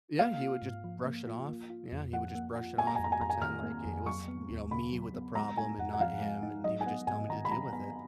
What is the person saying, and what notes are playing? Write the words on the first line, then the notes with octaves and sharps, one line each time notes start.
Yeah, he would just brush it off. Yeah, he would just brush it off and pretend like i it was, you know, me with the problem and not him, and he would just tell me to deal with it.
A#3 F5
F4
G#2
F3
A#3
F4
A#3
F4
F2
F3 F#5
A#3
F4
A#3 G#5
A#5
F2 G#5
A#5
G#5
F2 A#5
G#5
D#3 F6
A#3
F2
F#3 C#6
B3
D#2
C#3 B5
F#3
B3
G#3 A#5
D#4 G#5
F2 F#5
F#5
F3 F5
G#3
D#4
F#3 D#5
G#5
B3 F#5
G#2 G#5
D#3 A#5
B5
F#3 A#5
B3 A#5